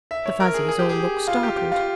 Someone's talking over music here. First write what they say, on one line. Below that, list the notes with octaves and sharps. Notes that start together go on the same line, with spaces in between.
The Fuzzies all looked startled.
E5
C#5
A#4
G#4
G#4
G4
G#4
F4
G4
G4
F4